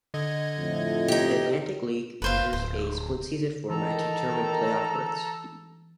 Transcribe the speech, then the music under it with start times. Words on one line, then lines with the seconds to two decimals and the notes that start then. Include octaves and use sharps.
The Atlantic League uses a split-season format to determine playoff berths.
0.14 D3 D#5 G#6
0.58 F2 A2
1.08 D#4 G4
2.22 F#1 B4 C5 F5
2.53 D1 C5
3.70 D#3 E3 A4 A#5